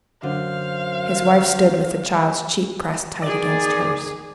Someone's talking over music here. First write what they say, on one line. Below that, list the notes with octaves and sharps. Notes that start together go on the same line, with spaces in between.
His wife stood with the child's cheek pressed tight against hers.
F#2 D3 C5 F5
D#3 G#4 D5